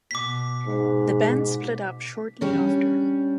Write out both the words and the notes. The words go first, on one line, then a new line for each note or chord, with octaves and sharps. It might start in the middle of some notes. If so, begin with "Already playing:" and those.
The band split up shortly after.
B2 D6 B6
G#2
G3 C#4 D4